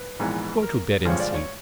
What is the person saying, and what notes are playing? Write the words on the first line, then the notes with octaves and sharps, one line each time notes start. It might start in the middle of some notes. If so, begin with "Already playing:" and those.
Go to bed and sleep!
Already playing: B4
A#1 G#2 E3 G#3 B3
A#4
G2 D3 F3 G#3 C#5
D5
C#5